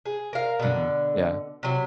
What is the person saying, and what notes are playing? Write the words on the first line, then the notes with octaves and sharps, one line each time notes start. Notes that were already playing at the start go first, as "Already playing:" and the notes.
Mhm. Yeah.
G#4
A#4 F5
B2 D3
C3 F#3